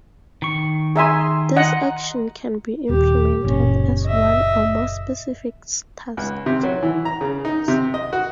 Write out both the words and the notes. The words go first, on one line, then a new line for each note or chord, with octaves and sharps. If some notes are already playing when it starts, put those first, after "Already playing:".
This action can be implemented as one or more specific tasks.
D#3 C#6
G#4 E5 G#5 A#5 C6
D#5 F#5
D#1 G4
F#1 A#2 C#4
D#5 E5
C#2
C3
F#3
E3
A#5
C#3
D#4
C3
D#5
F#4